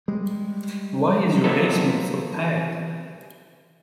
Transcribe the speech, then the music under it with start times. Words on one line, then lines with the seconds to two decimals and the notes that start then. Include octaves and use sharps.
Why is your basement so packed?
0.08 G3 G#3
1.44 C3 F#3 A#3 B3 D#4 A4